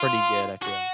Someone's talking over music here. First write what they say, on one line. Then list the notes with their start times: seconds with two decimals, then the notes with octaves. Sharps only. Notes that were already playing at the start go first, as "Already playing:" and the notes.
pretty good, I feel.
Already playing: F4
0.62 F#4